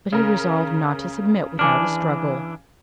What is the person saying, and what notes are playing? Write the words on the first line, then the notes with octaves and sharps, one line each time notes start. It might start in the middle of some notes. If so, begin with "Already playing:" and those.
But he resolved not to submit without a struggle.
C#3 A#4
E3 D4 G#5 D6 F6